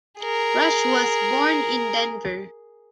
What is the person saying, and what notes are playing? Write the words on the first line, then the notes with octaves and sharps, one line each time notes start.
Rush was born in Denver.
G#4 A#4